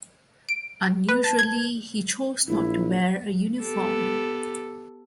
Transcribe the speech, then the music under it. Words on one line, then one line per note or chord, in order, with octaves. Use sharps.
Unusually, he chose not to wear a uniform.
D7
B4
A5
G#6
A#1 E4
B3 G4 A4